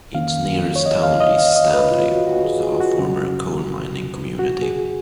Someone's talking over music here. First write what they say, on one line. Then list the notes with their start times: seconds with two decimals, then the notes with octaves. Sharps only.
Its nearest town is Stanley, also a former coal mining community.
0.14 F2 D#3 A#3 C#4 F5
0.76 C#5
0.86 D#5
1.03 F5
1.20 D#5
1.38 F5
1.56 D#5
1.74 B4
1.91 F4
2.09 F#4
2.27 F#4
2.45 G#4
2.63 G#4
2.72 F4
2.80 F#4
2.97 F2 C#3 F#3 C#4
4.39 F#4
4.62 G#4